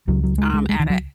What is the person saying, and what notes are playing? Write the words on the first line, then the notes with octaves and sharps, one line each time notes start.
um, at at
C#2 C#3 F#3
F#3
G#3
G#3
G#3
D#3
F#3